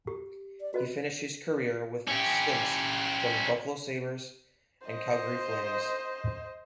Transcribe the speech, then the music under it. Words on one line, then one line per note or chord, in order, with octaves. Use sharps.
He finished his career with stints for the Buffalo Sabres, and Calgary Flames.
G4
D5
F#4 B4 C5 D#5
C#4 G4
C5 D#5